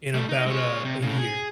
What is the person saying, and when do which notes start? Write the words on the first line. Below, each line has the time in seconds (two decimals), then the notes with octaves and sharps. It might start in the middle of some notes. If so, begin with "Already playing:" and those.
in about a a year.
0.14 G3 A3
0.29 D#4
0.46 G#3 C#5
0.85 C3
1.02 A2 C#3
1.18 G#4